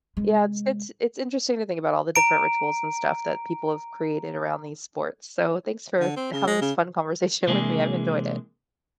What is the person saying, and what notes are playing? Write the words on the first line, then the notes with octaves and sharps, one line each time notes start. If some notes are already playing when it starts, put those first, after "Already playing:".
yeah, it's it's it's interesting to think about all the different rituals, and stuff, that people have created around these sports, so thanks for having this fun conversation with me, I've enjoyed it.
C3 G#3
A#5 D7
D3
C4
C#3
G#3
C#3
C3 E3 G#3 A#3 D4 G#4